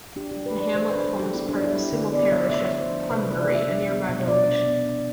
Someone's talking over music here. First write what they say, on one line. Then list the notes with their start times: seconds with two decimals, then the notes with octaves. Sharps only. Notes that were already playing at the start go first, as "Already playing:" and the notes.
The hamlet forms part of the civil parish of Clunbury, a nearby village.
0.16 D4 G4
0.32 G3 G4
0.46 B4
0.55 E3
0.61 D5
0.75 E3 C5
0.90 B4
0.96 D4
1.04 A4
1.15 G3 G4
1.34 B3 E4
1.49 D4
1.54 G3
1.63 E4
1.73 D4 G4
1.92 D3 B4
2.13 B3 D5
2.32 G3 E5
2.52 A3 E5
2.71 F3
2.81 C5
2.90 D4
3.10 C3 B4
3.25 A3 B4
3.39 D5
3.50 F3 E5
3.68 D4
3.89 B3
4.09 B2
4.28 B2 D5
4.48 D4
4.67 B3
4.86 D4